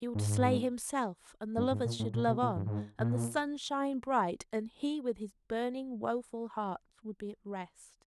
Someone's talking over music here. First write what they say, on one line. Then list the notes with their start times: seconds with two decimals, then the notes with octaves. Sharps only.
He would slay himself, and the lovers should love on, and the sun shine bright, and he with his burning, woeful heart would be at rest.
0.15 G#2
1.57 G2
1.71 G#2
1.85 A#2
1.99 A2
2.14 A#2
2.28 B2
2.42 A#2
2.56 G2
2.66 A2
2.70 G#2
2.99 A#2